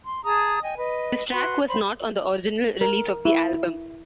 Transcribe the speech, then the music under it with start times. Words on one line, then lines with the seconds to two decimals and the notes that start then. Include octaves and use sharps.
This track was not on the original release of the album.
0.06 C6
0.24 G#4 A5 A#5 D#6
0.63 D#5 G5 G#5
0.77 B4 D#5
1.31 F#4 B4 C6
1.68 C5 B5
2.81 A#4
3.25 E4